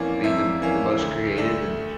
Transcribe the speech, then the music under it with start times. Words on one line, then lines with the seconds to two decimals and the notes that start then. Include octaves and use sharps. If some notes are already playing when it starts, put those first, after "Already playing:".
to be the the most creative, and,
Already playing: F2 E3 A#3 C#4 D5
0.24 F2 E5
0.62 E3 A#3 C#4
0.99 D2
1.36 D3 A3 D4